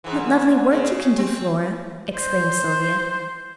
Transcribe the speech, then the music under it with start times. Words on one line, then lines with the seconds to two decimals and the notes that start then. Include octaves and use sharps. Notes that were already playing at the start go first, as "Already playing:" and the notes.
"What lovely work you can do, Flora!" exclaimed Sylvia.
0.04 G#2 E3
0.71 C#3
1.18 C4
2.18 C5